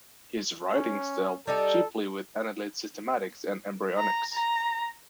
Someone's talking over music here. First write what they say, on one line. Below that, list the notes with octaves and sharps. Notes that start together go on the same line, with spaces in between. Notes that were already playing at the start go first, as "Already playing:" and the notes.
His writings dealt chiefly with annelid systematics and embryonics.
C#4
G3 D#4 G4 A4
A#5
A#5